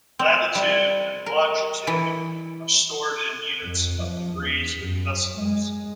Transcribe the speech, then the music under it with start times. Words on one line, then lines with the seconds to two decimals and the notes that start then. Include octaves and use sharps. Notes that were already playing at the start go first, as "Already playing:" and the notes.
Latitude and longitude are stored in units of degrees with decimals.
0.19 C4
0.55 G3
1.26 A#4
1.87 E3
3.64 F2
3.99 F3
4.35 E2
4.79 F#2
5.42 G#3